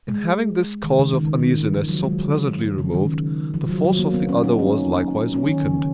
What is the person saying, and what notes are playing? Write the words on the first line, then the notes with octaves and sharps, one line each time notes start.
In having this cause of uneasiness so pleasantly removed, the force of the other was likewise weakened.
G#3
D#3
C#3
D#3
C#3
D#3
F3
F#3
F#3
G#3
F3
C#3
D#3
F3
F#3
F#3
A#3
B3
C#4
D#4
C#4
C#4
D#3
C#3